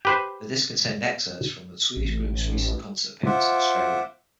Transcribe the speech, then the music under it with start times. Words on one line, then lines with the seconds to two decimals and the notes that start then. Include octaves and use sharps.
The disc contained excerpts from the Swedish group's recent concert appearance in Australia.
0.05 G4 B4 C5
1.97 A1
3.26 F4 C5 E5 F#5 D6